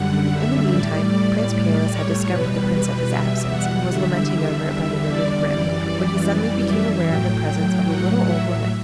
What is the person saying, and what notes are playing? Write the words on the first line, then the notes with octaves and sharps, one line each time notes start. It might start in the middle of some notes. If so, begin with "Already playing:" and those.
In the meantime Prince Peerless had discovered the Princess's absence, and was lamenting over it by the river's brim, when he suddenly became aware of the presence of a little old woman.
Already playing: F#2 D3 G3 F#5
E5
A2 G3 D5
C#5
E2 B2 G3 B4
B4
E5
F#5
E2 D3 G3 E5
D5
F#2 E3 G3
D5
E5
A2 F#3 G5
F#5
E5